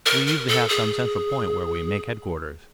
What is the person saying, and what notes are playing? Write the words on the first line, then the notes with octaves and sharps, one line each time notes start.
We usually have some central point where we make headquarters.
A#4
A#4
A4
G#4